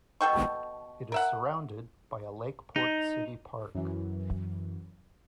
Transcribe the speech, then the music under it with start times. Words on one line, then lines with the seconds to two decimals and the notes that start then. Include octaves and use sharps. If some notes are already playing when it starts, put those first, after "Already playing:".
It is surrounded by a Lakeport City Park.
0.21 B2 A4 G5 C#6
1.12 A#4 E5 F#5
2.76 D#4
3.75 F#2 E3